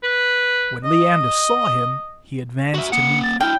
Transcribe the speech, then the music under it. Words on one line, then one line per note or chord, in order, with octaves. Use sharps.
When Leander saw him, he advanced to meet him.
B4
D#5
F#4 E5
A#3 F#5 C#7
A6
D4 E4 G5 F6